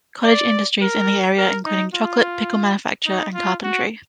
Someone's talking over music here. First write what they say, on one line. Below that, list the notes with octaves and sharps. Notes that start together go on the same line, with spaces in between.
Cottage industries in the area including chocolate, pickle manufacture and carpentry.
D5
A#4
A#4
D#4
F4
D#4
F4
F#4